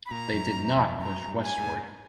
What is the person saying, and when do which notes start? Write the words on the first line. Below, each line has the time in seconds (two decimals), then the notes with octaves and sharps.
They did not push westward.
0.06 B5
0.11 A#2 A#5
0.33 F#2
0.56 F#2
0.77 F2
0.99 F#2 A#5
1.28 G2
1.43 G#5
1.58 G#2